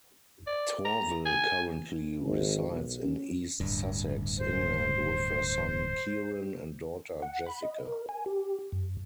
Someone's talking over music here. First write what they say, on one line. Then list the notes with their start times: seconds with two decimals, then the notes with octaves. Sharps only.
Torvill currently resides in East Sussex, England, with her son Kieran and daughter Jessica.
0.47 D5
0.85 A#5
1.25 G#5
2.24 G#1
2.69 B1
3.03 C#4
3.60 D1 G2
4.37 C5
7.22 F#5
7.46 B5
7.63 D#5
7.87 A#4
8.09 G#5
8.26 G4
8.72 F#2